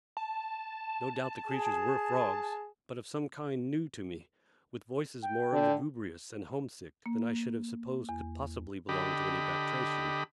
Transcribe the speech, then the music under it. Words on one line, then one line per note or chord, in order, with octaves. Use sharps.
No doubt the creatures were frogs, but of some kind new to me, with voices more lugubrious and homesick than I should have supposed could possibly belong to any batrachian.
A5
G#4
G5
D3
A#3
E2
D3 G4 D#5 B5